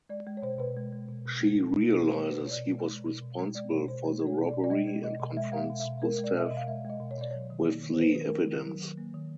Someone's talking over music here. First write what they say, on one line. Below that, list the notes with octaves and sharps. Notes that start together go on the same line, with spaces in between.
She realizes he was responsible for the robbery and confronts Gustav with the evidence.
G#3 D5
G#3
C#5
B2 C5
B2 B4
G#3
G#3
B2
B2
G#3
G#3
B2
B2
G#3 B4
G#3 B4
B2
C#5
D5
B2
G#3
G#3
B2
B2
G#3
G#3 D5
B2 C#5
B2 C5
G#3
G#3
C#5
B2
B2 D5
D5
G#3 D#5
G#3
B2 D#5
B2
G#3 E5
G#3 F5
E5
B2
E5
B2
G#3 A#4
G#3
D5
B2 E5
B2 D#5
F5
G#3 E5
G#3 D#5
B2
C#5
B2 D5
F#3 C#5
D#3
A#3
D#3
C5
F#3 B4
D#3 B4
A#4
A#3
D#3
F#3
D#3
A#3
D#3